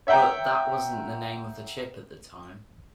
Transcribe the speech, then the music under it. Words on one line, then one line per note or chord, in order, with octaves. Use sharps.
But that wasn't the name of the chip at the time.
C#5 E5 F#5 G5 A#5